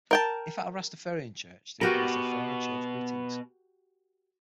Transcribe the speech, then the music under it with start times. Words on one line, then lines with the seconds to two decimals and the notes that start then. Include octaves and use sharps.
If at a Rastafarian Church, they would use their formal church greetings.
0.11 A#4 G5 A5
1.81 B2 F#4 G4 A#4